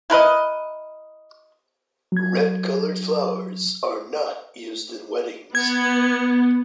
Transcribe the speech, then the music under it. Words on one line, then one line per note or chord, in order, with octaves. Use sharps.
Red colored flowers are not used in weddings.
E4 A#4 B4 D#5
F#3 G#6
B3 G#6